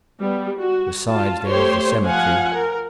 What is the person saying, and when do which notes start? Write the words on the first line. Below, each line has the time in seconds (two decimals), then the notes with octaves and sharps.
Besides, there is the cemetery.
0.20 G3 B3
0.57 F#4
1.10 F4 A5
1.48 A3 G4 C5 C#5 C6
2.05 F3 F5 F#5 G#5
2.54 A#4